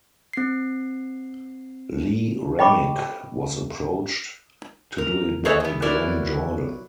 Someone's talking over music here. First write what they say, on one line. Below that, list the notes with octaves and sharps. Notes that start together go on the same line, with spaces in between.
Lee Remick was approached to do it by Glenn Jordan.
C4 C7
D#5 G5 B5 C#6 D6
A#4
A3 G#4 A4 B4 C#5 D#5
E2 B3
F#3 E4 A#4 B4 D5